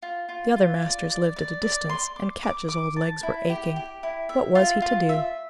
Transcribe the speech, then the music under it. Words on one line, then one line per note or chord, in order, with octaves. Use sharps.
The other masters lived at a distance, and Ketch's old legs were aching. What was he to do?
F4
F4
F4
D5
D5
D5
D5
C6
D6
D6
D6
A5
E4
G4
G4
E4
E5
F4
F4
E5